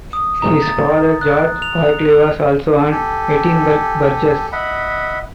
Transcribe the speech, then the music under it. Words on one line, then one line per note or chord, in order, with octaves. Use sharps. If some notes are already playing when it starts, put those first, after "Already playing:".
His father George Barclay was also an Edinburgh burgess.
D#6
A#5
A6
F#6
F7
G4 A4 G#5
D#5 E5 F#5 B5